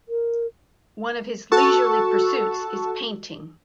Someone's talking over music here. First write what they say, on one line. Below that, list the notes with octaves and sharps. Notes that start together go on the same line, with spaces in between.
One of his leisurely pursuits is painting.
A#4
F#4 A4 A5 C#6 E6